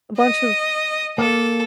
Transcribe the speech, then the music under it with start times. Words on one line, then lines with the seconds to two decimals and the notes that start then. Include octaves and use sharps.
a bunch of
0.18 D#5
1.18 A#3 A4